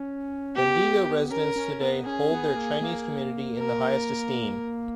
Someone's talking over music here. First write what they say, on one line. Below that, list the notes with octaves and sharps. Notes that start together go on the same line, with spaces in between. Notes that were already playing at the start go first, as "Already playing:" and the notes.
Bendigo residents today hold their Chinese Community in the highest esteem.
Already playing: C#4
B3 G4
C#4 A#4
C#4
B3
C#4 G#4
B3
A#3
A#3
A#4